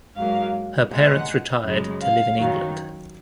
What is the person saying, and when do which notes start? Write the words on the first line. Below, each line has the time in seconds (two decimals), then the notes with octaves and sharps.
Her parents retired to live in England.
0.16 G#2 F#3 A#3 F5
0.90 A#2 G#3 F#5
1.65 F#2 C#3 G#3
2.01 F5
2.37 F#2 D#3 F#3